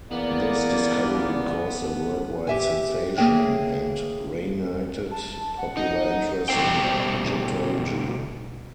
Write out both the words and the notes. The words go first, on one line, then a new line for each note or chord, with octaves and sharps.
This discovery caused a worldwide sensation and reignited popular interest in Egyptology.
E2 A#3 B3 D5
G4 E5 G#5
A#3 G#4 C#5 E5 G5
A5
F#5
D#4
B2 G3 C4 C5 G5